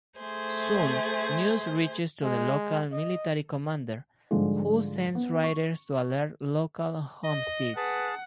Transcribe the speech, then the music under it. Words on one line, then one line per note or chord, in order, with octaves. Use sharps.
Soon news reaches the local military commander, who sends riders to alert local homesteads.
A3 G#4 C5
G#3
D#5
G#2 D3 F3 G3 G#3
B3
C#6
D#5
G#4 B4 F#5 A5